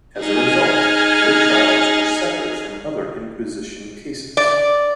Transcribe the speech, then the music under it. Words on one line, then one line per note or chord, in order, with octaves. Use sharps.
As a result their trials were separate from other inquisition cases.
D#4 G#4 G#5 F6
D5